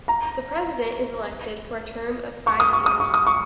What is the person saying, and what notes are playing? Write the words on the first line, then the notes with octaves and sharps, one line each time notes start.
The President is elected for a term of five years.
A#5
C#6
D#6
C#6
D#6
C#6
D#6
C#6